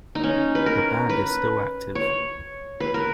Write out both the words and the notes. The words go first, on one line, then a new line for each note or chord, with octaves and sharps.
The band is still active.
D#4
C#4
B4
A#4
B4
C#5
B4
A#4